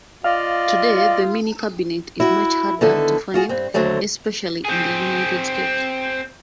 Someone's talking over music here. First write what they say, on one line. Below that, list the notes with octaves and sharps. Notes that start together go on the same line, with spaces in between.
Today the mini-cabinet is much harder to find, especially in the United States.
F4 D5 D#5 F5
E4 F#4
D3 D#3 B3 E4 A4
F4 F#4 G#4
G2 C4
D#2 D3 F#3 A3 C4
C4 G#4